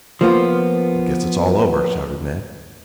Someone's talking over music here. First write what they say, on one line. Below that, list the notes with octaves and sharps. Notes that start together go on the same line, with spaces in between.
"I guess it's all over," shouted Ned.
F3 A#3 B3 F4